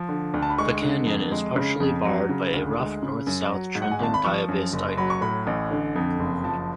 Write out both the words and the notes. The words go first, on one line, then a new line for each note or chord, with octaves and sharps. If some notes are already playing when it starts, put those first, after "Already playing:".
The Canyon is partially barred by a roughly north-south trending diabase dike.
Already playing: F3
D3
D2
A5
B5
G#3 C#6
D3
F2
G#3
C#3
F2
F#3
C#3
D2
G#3
C#3
F#2
F#3
G#2
F#5
G#5
G#1 A5
B5
F3 C#6
F#2
F#1
F#3 B5
C#6
A2 B5
A1
D3
F2
F#1
F3 A5